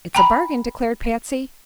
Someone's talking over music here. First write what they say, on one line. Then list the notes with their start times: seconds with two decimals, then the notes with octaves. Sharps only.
"It's a bargain," declared Patsy.
0.15 G5 A#5 B5